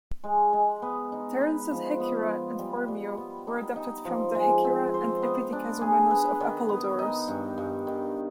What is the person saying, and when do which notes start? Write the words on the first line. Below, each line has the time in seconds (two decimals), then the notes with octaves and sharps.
Terence's "Hecyra" and "Phormio" were adapted from the "Hekyra" and "Epidikazomenos" of Apollodorus.
0.24 G#3
0.53 G#3
0.82 B3
1.12 D#4
1.41 B4
1.71 F3
2.00 B3
2.29 F4
2.59 G3
2.88 G3
3.17 B3
3.47 D#4
3.76 D#4
4.05 F3
4.35 G#3
4.64 C4
4.94 C5
5.22 B3
5.52 D4
5.81 G#4
6.11 B4
6.40 D#3
6.69 B3
6.99 D#4
7.28 G2
7.58 G2
7.87 D#3